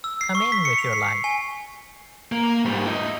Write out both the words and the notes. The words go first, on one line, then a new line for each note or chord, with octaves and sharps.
Come in with your light.
E6
C7
C#6
B6
C#7
F7
C7
C7
G#5
A#3
G#2 G3
E4 D#5